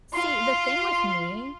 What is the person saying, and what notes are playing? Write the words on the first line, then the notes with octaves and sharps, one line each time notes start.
See, the thing with me
F4 C6